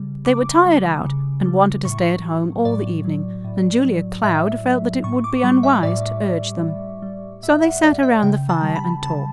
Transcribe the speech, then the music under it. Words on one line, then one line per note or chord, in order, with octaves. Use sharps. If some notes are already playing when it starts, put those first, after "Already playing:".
They were tired out, and wanted to stay at home all the evening, and Julia Cloud felt that it would be unwise to urge them; so they sat around the fire and talked.
Already playing: C#3 G3
C#3 D6
G3
C#3
G3
A2 C#6
F#3
A2 D5
F#3
A2
F#3
A2 E5
F#3
A2 C#6
D6
G3 C#6
E5
A2 D5
G3
A2
G3
A2 E5
F#5
G3 D5
E5
C#3 G5
A5
G3
B5
C#3 A5